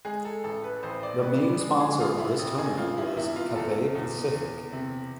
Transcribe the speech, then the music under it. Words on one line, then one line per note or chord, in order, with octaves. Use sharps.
The main sponsor of this tournament was Cathay Pacific.
G#3 G#4
A4
A1 A4
B4
A1 C5
D5
A1 B4
D5
G#3
G#4
A1 F4
E4
A1
G#4
A1 F4
E4
E2 E4
F4
E2 A4
E2
E2
C3